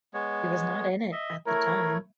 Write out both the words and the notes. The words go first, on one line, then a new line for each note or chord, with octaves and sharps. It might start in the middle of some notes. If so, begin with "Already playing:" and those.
He was not in it at the time.
G#3 B3 C#5
D#5 E5
A3 E4 A#4 C#5